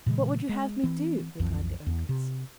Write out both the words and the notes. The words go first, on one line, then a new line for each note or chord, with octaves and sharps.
"What would you have me do?" replied the ogress.
A#2 C#3 E3 G#3
G#3
E3 C4
B1 F2 E3
E2
C3